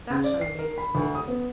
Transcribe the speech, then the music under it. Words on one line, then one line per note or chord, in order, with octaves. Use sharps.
That shall remain as it is.
C#3
D5
C7
A#4
B5
D2
D#6
B3